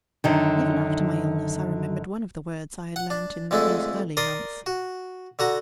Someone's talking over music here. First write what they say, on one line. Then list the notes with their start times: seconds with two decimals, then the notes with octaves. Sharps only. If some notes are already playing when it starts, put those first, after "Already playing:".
Even after my illness I remembered one of the words I had learned in these early months.
0.24 F#2 D3 D#3
2.96 F#5
3.10 D4
3.51 F2 D3 G#3 A3
4.17 A#4 D5 C6 D#6
4.66 F#4
5.39 D3 F#4 A#5